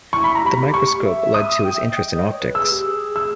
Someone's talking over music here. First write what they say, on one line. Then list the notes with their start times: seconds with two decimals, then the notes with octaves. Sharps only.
The microscope led to his interest in optics.
0.13 E4 C#6
0.24 B5
0.35 A#5
0.44 G4 B5
0.74 C#6
1.04 E5
1.34 D#6
1.64 G5
1.74 E5
1.84 D#5
1.95 G5
2.15 D#5
2.24 C#5
2.39 B4
2.55 G#4 E6
2.70 G4
2.86 G#4
3.16 E6